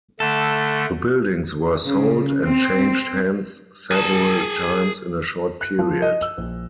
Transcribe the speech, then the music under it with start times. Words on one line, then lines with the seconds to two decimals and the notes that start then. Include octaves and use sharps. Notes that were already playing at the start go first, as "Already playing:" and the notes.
The buildings were sold, and changed hands several times in a short period.
0.20 D3 A3 A4
1.84 C#3
2.42 C4
3.92 G#4 A5
5.61 F#6
5.79 F3
6.02 D#5
6.22 E6
6.37 A#1